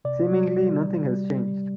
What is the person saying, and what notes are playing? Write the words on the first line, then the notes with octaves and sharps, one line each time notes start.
Seemingly, nothing has changed.
C3 D5
G3
G3
G3
G3
G3